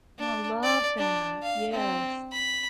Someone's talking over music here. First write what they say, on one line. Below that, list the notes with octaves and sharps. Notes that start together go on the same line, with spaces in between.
I love that. Yes.
D4
D5
D4
F5
C4
B5